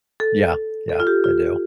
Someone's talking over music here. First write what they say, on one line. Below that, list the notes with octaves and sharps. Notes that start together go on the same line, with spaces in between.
Yeah, Yeah. I do.
A4
A4
F4
G4
F4